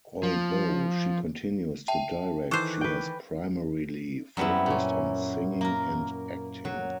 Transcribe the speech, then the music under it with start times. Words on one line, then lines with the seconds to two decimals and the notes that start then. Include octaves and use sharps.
Although she continues to direct, she has primarily focused on singing and acting.
0.23 F3
1.88 E5 G5 A5
2.51 D#3 E3 A4 C5 C#6 D6 F#6
2.81 B4 G5
4.37 F#2 G3 B3 C4 E4
4.66 A#2 C#4
5.61 A#3 A#4
6.65 F#3